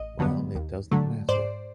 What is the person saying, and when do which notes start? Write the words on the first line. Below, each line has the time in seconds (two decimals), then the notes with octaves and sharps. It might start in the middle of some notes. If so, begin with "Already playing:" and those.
Well, it doesn’t matter.
Already playing: A1 D#5
0.19 G2 D3 F#3 B3
0.55 D#2
0.91 D3 F#3 A3
1.28 G#2 C5 D5